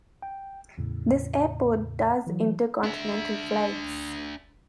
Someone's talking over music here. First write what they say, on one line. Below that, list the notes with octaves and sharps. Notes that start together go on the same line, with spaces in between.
This airport does intercontinental flights.
G5
E2 A2 C#3
E3 F#3
D4 E5